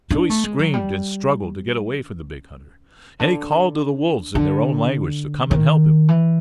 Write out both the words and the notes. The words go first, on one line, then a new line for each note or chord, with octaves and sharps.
So he screamed and struggled to get away from the big hunter, and he called to the wolves in their own language to come and help him.
D4
A3
G#3
F#3
G3
C#3
D3
D3
D#3
E3